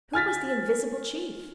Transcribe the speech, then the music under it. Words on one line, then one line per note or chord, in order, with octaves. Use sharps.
Who was the invisible chief?
G#5 F6 A6 B6